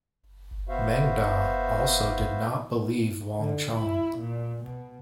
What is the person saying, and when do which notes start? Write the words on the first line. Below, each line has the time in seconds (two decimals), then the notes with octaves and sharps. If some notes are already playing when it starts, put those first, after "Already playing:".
Meng Da also did not believe Wang Chong.
0.69 B3 F#4 C5 E5 F5
3.38 D3
3.72 E4
4.18 A#2
4.65 B2